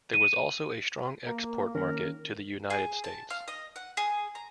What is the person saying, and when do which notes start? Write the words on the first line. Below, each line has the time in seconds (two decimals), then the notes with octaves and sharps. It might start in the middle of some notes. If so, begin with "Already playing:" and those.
There was also a strong export market to the United States.
0.14 D#7
1.27 A#3 A#4
1.75 C#2 D#3 A#3 C#4 A#4
2.70 G#4
3.04 A5
3.30 F5
3.48 D#5
3.76 F#5
3.97 G#4
4.35 A#5